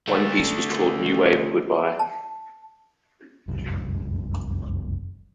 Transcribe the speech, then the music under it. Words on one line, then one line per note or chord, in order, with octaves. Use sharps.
One piece was called "New Wave Goodbye".
A3 D4
A5
F1 C2 F#2